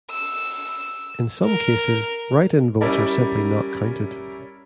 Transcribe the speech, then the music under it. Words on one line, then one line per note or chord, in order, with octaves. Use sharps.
In some cases, write-in votes are simply not counted.
E6
A#4
G3 C#4 E4 A#4 D5